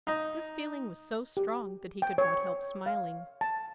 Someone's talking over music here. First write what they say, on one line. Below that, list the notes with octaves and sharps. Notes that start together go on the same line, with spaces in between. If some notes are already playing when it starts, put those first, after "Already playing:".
This feeling was so strong that he could not help smiling.
D#4
G4
G5
C#5
F5
A5